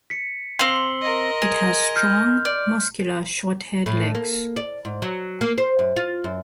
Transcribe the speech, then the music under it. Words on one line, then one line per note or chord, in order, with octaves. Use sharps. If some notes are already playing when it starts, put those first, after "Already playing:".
It has strong, muscular, short-haired legs.
B6 C#7
C4 F5 C6 F#7 G7
A#4 D#5
G#4 F7
F6 G6
D5
A2
A#3
D5
G#2
F#3
A#3
C5
F#2
F4
F#2